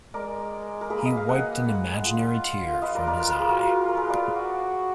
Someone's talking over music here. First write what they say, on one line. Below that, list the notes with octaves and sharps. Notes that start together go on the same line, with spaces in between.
He wiped an imaginary tear from his eye.
G#3 A#4 D5
A#4
A#3 G#4 B4
D#5
F5
D#5 F#5
G#3
F4
F5
F4 B4 D#5
A#4 D5
A#4 D5
B4
A#4
G#4
F#4 A#4
A#4
G#4 B4
D5 F5
F#4